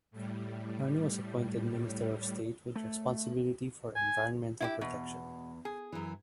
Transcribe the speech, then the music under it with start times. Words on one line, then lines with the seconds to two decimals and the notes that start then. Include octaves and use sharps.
Harney was appointed Minister of State with responsibility for Environmental Protection.
0.11 A2 G3
2.76 A3
3.95 G#5
4.60 E4 F4 G4
4.81 E2 B2
5.65 G#4
5.92 F#2 E3